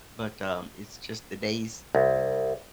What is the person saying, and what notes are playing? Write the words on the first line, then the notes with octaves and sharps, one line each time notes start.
but, um, it's just the days,
C2